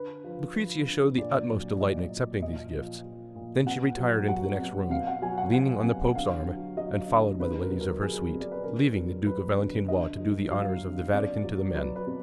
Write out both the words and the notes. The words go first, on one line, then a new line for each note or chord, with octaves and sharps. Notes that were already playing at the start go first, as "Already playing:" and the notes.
Lucrezia showed the utmost delight in accepting these gifts; then she retired into the next room, leaning on the pope's arm, and followed by the ladies of her suite, leaving the Duke of Valentinois to do the honours of the Vatican to the men.
Already playing: D3 B4
F3
F3
D3
A#2 D5
F#3
F#3 D#5
A#2
A#2 D#5
F3
F3
A#2
B2 F#5
F#3
F#3 F#5
B2
B2 F5
F#5
F#3 G#5
F#5
F#3 F#5
B2
D3 F5
F#3
F#3 D#5
D3
B2 B4
A#4
F#3
A#4
F#3 G#4
B2
D5
B4
D3 A#4
F#3
F#3 B4
D3
D3 D#5
F#3
F#3 F5
D3
B2 D5
F#3
F#3 B4
B4
B2